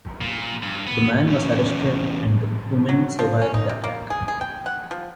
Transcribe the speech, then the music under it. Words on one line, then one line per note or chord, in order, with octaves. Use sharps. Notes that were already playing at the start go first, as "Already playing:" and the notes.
The man was arrested and the woman survived the attack.
A#2
G2
B3
E2 C#4
F#3
F3
C#4
D#4
C3
A#3
G#4
G#4
G5
F#5
F3